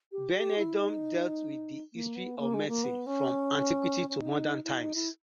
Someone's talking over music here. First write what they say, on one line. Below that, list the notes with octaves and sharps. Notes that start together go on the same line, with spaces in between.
Benedum dealt with the history of medicine from antiquity to modern times.
G4
G4
E4
D#4
A#3
B3
A#3
G#3
A#3
B3
C#4
C#4
D#4
E4
D#4
E4